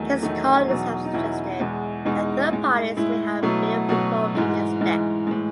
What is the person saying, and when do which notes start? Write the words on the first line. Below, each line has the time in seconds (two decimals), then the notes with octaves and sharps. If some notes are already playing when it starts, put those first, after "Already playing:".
His colleagues have suggested that third parties may have been involved in his death.
Already playing: E2 D#3 F#3 A3
0.23 E2 D#3 F#3 A3 D#4
0.68 E2 B2 F#3
1.05 D#4
1.13 E2 B2 F#3 E4
1.60 E2 B2 G#3
2.05 E2 B2 G#3 D#4
2.51 A2 G#3
2.97 A2 G#3 E4
3.42 B2 F#3 A3 E4
3.89 B2 F#3 A3 F#4
4.35 G#2 E3 G#3
4.81 G#2 E3 G#3
5.27 A2 E3 G#3